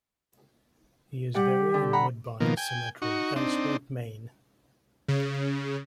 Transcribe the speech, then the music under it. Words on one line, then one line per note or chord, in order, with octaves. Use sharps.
He is buried in Woodbine Cemetery, Ellsworth, Maine.
G3 G4 F#5 G5
D3
F#5 A#5 B5
B2 D#3 F3 A#3
G5 G#5
D#4 F#4 C#6
C4 D4 D#4
C#3